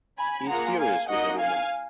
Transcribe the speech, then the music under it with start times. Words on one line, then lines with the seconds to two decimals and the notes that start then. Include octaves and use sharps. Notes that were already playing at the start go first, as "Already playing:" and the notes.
He is furious with the woman.
0.19 G#5 B5
0.48 A#3 F4 G#4 F#5 A#5
0.79 F5 G#5
1.09 A#3 D#4 F#4 D#5 F#5
1.38 F5 G#5